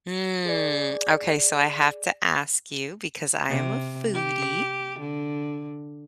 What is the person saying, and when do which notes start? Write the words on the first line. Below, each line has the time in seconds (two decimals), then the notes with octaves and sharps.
Mm, okay, so I have to ask you because I am a foodie,
0.46 G#4 D5
3.48 C3
4.14 G4
5.00 D3